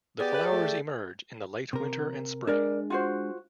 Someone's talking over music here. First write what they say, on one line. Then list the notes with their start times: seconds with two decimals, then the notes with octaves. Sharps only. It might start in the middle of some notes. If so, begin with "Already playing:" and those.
The flowers emerge in the late winter and spring.
0.20 B3 G4 G#4 D5
0.34 B4
0.51 A3
1.73 C3 A#4
2.47 G#3 D4 A#4 D5
2.90 F4 F#4 C5